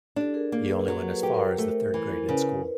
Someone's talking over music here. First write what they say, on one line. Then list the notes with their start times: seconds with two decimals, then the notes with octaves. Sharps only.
He only went as far as the third grade in school.
0.16 D4 G4 A4
0.34 G#4 A#4
0.52 A#3 G#4 A#4
0.70 A4 B4
0.83 B4
0.88 F#3 G#4 A#4
1.11 A4 B4
1.23 G4 B4
1.34 A#4 C5
1.58 A3
1.94 E3
2.29 C#3 B4 C#5